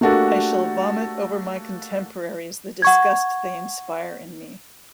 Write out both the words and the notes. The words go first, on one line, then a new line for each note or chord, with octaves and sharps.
I shall vomit over my contemporaries the disgust they inspire in me...
A3 A#3 D4 F#4 G4 A4
F#5 C#6 G#6